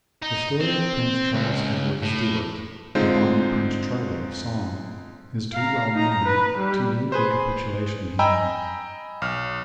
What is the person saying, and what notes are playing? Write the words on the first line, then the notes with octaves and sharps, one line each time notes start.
The story of Prince Charles Edward Stuart, the "bonnie Prince Charlie" of song, is too well known to need recapitulation here.
D#4
C4
C#2
A2
D3 G#3 C4 D#4 F4 C5
F5 A#5
D#4 A#5
B4
G3
G#4 B4 C5
D#5 G5 G#5 A#5 B5 E6
B1 F6